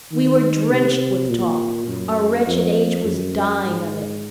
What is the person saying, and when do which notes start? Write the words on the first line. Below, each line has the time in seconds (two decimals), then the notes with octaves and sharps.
We were drenched with talk--our wretched age was dying of it.
0.12 D#3
0.71 C3
1.30 A#2
1.88 F#2
2.46 F2
3.05 F#2
3.64 G#2